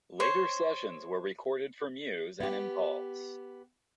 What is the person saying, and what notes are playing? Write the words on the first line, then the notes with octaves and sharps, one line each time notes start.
Later sessions were recorded for Muse and Impulse.
C5 C#5
B3 G4